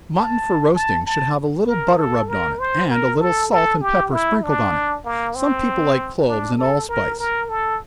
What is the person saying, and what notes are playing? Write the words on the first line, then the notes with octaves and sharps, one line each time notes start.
Mutton for roasting, should have a little butter rubbed on it, and a little salt and pepper sprinkled on it--some people like cloves and allspice.
A5
A5
A5
A#4
A4
A#4
C5
A#4
A4
A4
G4
E4
D4
A#3
C4
D4
A4
A#4
A#4
A4